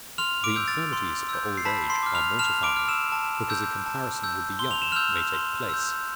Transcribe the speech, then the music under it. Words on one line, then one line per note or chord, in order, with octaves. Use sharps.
The infirmities of old age are mortifying; because a comparison with the young may take place.
C6 F6 F7
D6 D7
E6 G6
A6
C6
E6 G6
C7
A5 B5 B6
C6 C7
D6 F6
F6 F7
A5 F6 F7
D6 D7
D6 F6
E6 E7
A5
E6 G6
A5
E6 G6
C6 G7
F7
E7
E6 F6 G6 F7
C6
E6 G6